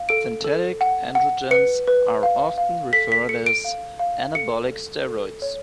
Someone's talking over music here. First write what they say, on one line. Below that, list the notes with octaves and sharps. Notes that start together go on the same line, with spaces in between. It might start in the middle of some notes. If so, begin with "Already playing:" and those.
Synthetic androgens are often referred to as anabolic steroids.
Already playing: F5
A4 D7
A4
F#5
F#5
B4 C#7
B4
F5
F5
A4 B6
B6
A4 C#7
D7
F5
F5
A4 C#7
A4
A4
C#5